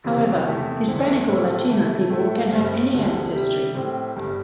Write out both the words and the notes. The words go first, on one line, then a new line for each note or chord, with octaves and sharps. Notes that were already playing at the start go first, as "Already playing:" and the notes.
However, Hispanic or Latino people can have any ancestry.
E2 C3 E3 C4
E2 C3 A3 E4 G4
E1 E2 D3 C4 E4
A2 G3 C4 A4
C3 E3 A3 E4
A2 A3 E4 A4
G2 G3 C4 G4
E1 D2 D3 G3 C4
C3 G3 E4 G4
A2 G3 C4 G4
G1 G2 G3